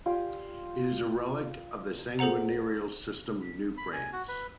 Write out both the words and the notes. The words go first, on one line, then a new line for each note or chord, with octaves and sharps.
It is a relic of the seigneurial system of New France.
F4 G4 D5 G#5
G#4 A4 C5 F#5 A#5
B5
G#5
F#4
B4